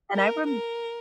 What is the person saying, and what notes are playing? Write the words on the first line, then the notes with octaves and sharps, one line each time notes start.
And I remem
A#4
A#4